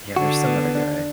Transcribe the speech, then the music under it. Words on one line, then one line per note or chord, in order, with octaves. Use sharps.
Yeah, there's some other guy.
D3 F#4
B3
D4